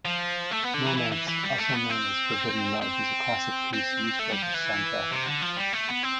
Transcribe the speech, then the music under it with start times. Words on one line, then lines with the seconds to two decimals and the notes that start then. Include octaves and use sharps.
"Romance", also known as "Forbidden Love" is a classic piece used for this soundtrack.
0.05 F3
0.51 A3
0.63 B3
0.74 D3
0.86 E3
0.97 E3
1.12 E3
1.28 E3
1.43 G3
1.58 A3
1.74 B3
1.90 C4
2.82 C4
3.73 C4
4.19 A3
4.30 G3
4.42 F3
4.54 E3
5.11 C3
5.26 D3
5.42 F3
5.57 G3
5.73 A3
5.89 B3
6.03 C4